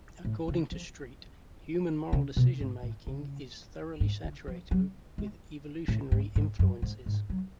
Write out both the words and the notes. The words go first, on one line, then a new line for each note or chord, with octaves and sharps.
According to Street, human moral decision-making is "thoroughly saturated" with evolutionary influences.
A2
C#3
F3
C#3
B2
G#2
A2
C#3
G#2
D3
F3
F#3
G#3
A2
G#2
G#2
F#2
G#2
G#2
F#3